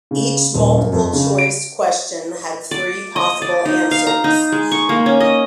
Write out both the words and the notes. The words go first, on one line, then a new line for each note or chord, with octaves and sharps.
Each multiple-choice question had three possible answers.
C#3
D#1
F#2
F2
C#3
D7
D5
D#5
D5
D#4
F5
A#5
D#4
G#3
C#6
A#3
C#4
D#5